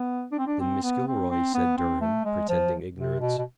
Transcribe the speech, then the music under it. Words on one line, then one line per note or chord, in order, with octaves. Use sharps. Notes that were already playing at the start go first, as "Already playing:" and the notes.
"Then Mrs. Gilroy," said Durham, pretending ignorance.
Already playing: B3
D4
C4
D4
C4
B3
C4
C4
B3
C4
A3
G#3
F3
C3
B2
B2